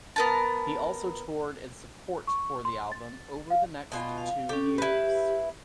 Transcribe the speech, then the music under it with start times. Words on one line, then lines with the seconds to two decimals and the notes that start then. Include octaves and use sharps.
He also toured in support for the album over the next two years.
0.16 B3 A#4 A5
2.27 C#6
2.65 C6
2.92 A6
3.50 F5
3.92 B2 F4 G#5
4.18 F5
4.49 C#4 G4 A4
4.78 E4 G4 B4